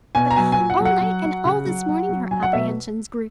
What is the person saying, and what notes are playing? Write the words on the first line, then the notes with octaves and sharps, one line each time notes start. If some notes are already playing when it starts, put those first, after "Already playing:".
But all night, and all this morning her apprehensions grew.
B2 G#5
A#5
F#3 G#5
G#5
A#2
F#5
F#3
F#5
F#3
F#3
C#3
F#3
F#3
F#3
F#3 G#5
F#5
B2 E5